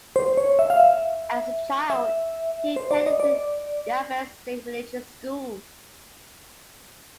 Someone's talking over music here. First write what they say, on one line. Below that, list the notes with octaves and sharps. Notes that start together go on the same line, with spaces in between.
As a child, he attended the Yavetz State Religious School.
C5
C#5
E5
F5
E5
E5
C5
D5
D#5
D5